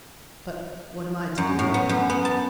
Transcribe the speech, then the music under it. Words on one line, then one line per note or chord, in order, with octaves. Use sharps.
But--what am I to do?
F#2
A2
B3
F#2
B3
A5